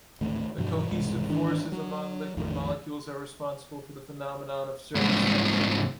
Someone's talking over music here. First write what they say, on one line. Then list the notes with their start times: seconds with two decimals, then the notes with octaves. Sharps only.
The cohesive forces among liquid molecules are responsible for the phenomenon of surface tension.
0.21 G#1 D2 A2
0.58 G2 B2 F3 F#3
0.90 E1 C2 G#2
1.29 G#1 D#3 E3 D4
1.72 F#3
2.37 A#1 F2 A2 D#3
4.95 C2 G#2